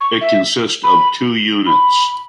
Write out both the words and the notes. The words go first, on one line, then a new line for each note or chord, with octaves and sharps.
It consist of two units.
C#6
E5
B5
B5